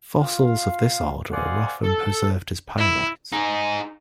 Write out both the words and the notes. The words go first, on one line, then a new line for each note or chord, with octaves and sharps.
Fossils of this order are often preserved as pyrite.
F4 F5
C5 D5 D#5 F5 F#5 G#5
A4
E4
D#4 G#4